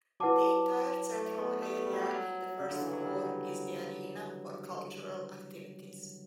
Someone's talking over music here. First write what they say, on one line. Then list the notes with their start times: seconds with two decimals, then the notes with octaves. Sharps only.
The entire central area in the first floor is the arena for cultural activities.
0.20 F#3 E4 B4 F#5 A5 D6
1.15 A3
1.38 B3
1.62 A3
1.86 G3
1.93 F#3
2.01 G3
2.09 F#3
2.60 C#3
2.71 D3
2.82 E3
2.93 F#3
3.05 G3